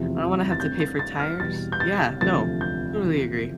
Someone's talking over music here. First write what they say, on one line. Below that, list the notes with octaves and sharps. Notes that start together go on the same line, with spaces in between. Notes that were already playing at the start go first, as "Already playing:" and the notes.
I don't wanna have to pay for tires. Yeah, no, totally agree.
Already playing: F1 E2 C3 F3
A6
G2 E3 A3 C4 G6
A6
A6
F6
E2 B2 G3 A6
G6
A6
E1 D2 C3 F3 A6
G6
F1 E2 C3 F3